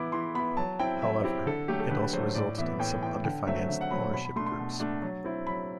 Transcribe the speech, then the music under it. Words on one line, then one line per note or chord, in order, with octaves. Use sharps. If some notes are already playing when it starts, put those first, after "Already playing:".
However, it also resulted in some under-financed ownership groups.
Already playing: E3 B3 E4 D6
E3 C6
B3 E4 B5
F#3 A5
C4 E4 G5
F#3 E5
C4 E4 G4
D3 A4
F#3 A3 G4
A4
D3 B4
F#3 A3 C5
A2 D5
E3 B3 E5
A2 G5
E3 B3 G5
D3 G5
F#3 A3 C4 E5
D3 E5
F#5
F#3 A3 C4 B5
B2 B5
B5
A3 D4 C6
C6
B2
A3 D4
F#3
C4 E4
F#3 B5